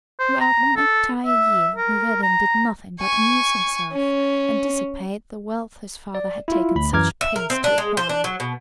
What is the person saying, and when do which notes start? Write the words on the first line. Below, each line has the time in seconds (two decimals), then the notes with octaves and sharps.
Throughout one entire year Noureddin did nothing but amuse himself, and dissipate the wealth his father had taken such pains to acquire.
0.19 C5
0.41 A#5
0.76 A4
1.26 E5
1.76 A#4
2.23 A#5
3.00 G#5 C#6
3.92 C#4
6.15 D5
6.48 E4 F4
6.75 D2 B5
6.92 F#2 E3 A#5 D6 F6 G#6
7.21 E5
7.36 A#4
7.50 C4
7.64 D4
7.78 G#3
7.97 C5
8.09 D4
8.24 F#3
8.40 B2